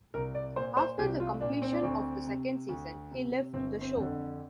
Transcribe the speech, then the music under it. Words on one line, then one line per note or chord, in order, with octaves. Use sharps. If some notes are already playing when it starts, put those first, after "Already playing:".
After the completion of the second season, he left the show.
C2 A#4
D5
A#2 C5
C5
C2 G4
F4
A#2 D4
C4
D4
D2 C4
C3
D2
C3
G1 C4
C4
F2 D3